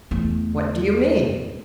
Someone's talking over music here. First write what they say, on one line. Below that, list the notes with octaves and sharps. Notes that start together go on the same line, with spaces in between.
What do you mean?
E2 A3